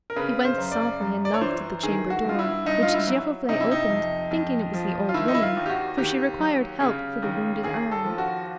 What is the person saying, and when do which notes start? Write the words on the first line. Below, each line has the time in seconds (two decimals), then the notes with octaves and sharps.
He went softly and knocked at the chamber door, which Giroflee opened, thinking it was the old woman, for she required help for the wounded arm.
0.10 A#4
0.16 C#3 B4
0.45 C5
0.58 F#2
0.72 D5
1.00 F#2
1.25 D5
1.34 C#5
1.41 E3 C5
1.83 D#3 G#4
2.10 F#4
2.24 G2 F4
2.39 E4
2.66 G2 D#4
2.83 F4
2.94 E4
3.07 F#3
3.49 C3 D#4
3.61 E4
3.71 D#4
3.90 F2
4.31 F2
4.74 F3
5.09 F4
5.14 D#3 E4
5.28 D#4
5.34 E4
5.43 F4
5.56 D#2
5.66 G4
5.70 F#4
5.97 D#2 G4
6.39 F#3
6.80 C#3
7.22 D#2
7.63 D#2 G#4
7.92 A4
8.04 F3
8.18 F#4